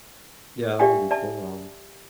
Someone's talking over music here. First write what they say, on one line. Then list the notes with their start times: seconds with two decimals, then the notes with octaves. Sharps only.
Yeah, that would be cool, um,
0.79 G4 D5 E5 F5 G5 G#5
1.11 D5 E5 A5